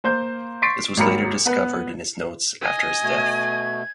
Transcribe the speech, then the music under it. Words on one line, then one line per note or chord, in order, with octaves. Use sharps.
This was later discovered in his notes after his death.
A#3 C5 G6
C6 C#6 A6 B6 C7 D7
G#1 D#2 F#3 A#4 B5 C#7
B3 B4
D#5 G#5
B2 A3 G#6